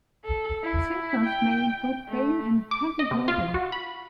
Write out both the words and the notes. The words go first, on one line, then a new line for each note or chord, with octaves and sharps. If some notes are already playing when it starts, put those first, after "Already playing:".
Symptoms may include pain and heavy bleeding.
A4
E4
G5
A3
D6
D#5
C3
F4
F#4
B5